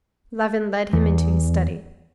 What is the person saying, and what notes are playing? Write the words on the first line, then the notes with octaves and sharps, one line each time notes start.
Levin led him into his study.
E2